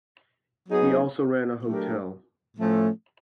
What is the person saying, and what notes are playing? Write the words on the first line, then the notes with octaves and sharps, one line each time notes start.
He also ran a hotel.
F#3 B3 D#4 G#4
F#3 A3 D4 G4 A#4
A2 F3 A3 C#4